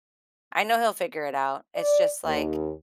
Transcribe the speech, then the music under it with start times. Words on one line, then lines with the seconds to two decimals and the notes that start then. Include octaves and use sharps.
I know he'll figure it out. It's just, like
1.75 D5
2.25 D#2